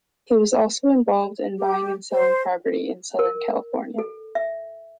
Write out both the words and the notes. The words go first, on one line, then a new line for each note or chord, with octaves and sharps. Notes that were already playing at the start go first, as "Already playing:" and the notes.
He also was involved in buying and selling property in Southern California.
G4
C5
A#4
A4
E5